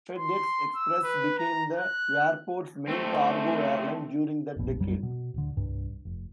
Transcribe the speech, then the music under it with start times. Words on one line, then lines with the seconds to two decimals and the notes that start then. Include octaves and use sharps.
FedEx Express became the airport's main cargo airline during that decade.
0.18 C6
0.75 E6
1.03 B4
1.38 A#5
1.76 F#6
2.88 A3 C4
4.56 F1 A#1 B2
4.79 B1 F#2 F#3 G3
5.03 B2
5.34 D1 D3
5.57 C2 G2
6.05 F1